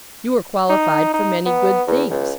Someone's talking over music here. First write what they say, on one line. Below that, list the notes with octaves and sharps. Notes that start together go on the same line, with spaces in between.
You are qualified for many good things.
D#4
D#4
B3
E2
C#2